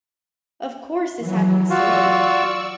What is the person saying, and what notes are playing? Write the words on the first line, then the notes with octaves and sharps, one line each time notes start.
"Of course, this happens to me."
E3 F#3
F4 F#4 D5 C#6 E6